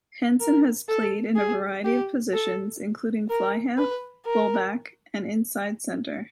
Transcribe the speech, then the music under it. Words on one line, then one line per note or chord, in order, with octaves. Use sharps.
Henson has played in a variety of positions including fly-half, fullback and inside centre.
A#4
A4
G#4
G4
A4
A#4
B4
A#4